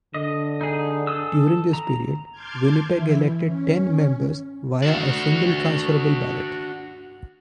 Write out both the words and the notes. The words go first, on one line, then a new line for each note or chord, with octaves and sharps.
During this period, Winnipeg elected ten members via a single transferable ballot.
D3 D#5
D#4 G#4
A4 D#6 E6
A#5
A5 C6 D6 F6 G6 G#6
E3 E4
C#4
D4 F#4